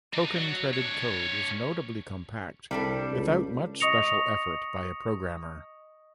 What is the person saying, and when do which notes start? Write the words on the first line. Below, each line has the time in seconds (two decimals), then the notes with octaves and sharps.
Token threaded code is notably compact, without much special effort by a programmer.
0.14 D4 D#4
0.36 F#3
0.73 D4 C#5
2.71 C2 G3 D4 A4
3.12 C#2
3.80 D#5 C#6 D#6 A#6 C#7 F7